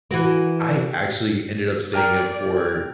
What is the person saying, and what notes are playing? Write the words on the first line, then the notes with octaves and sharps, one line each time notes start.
I actually ended up staying up for
E3 F#4 A#4
A#4 D5 G5 F6